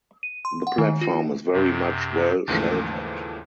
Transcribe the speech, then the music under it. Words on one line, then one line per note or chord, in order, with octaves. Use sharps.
The platform is very much well sheltered.
D#7
C6
F#5
D#3
F4
F#2 C3
D#2 G#2 C#3 E3 F3 A3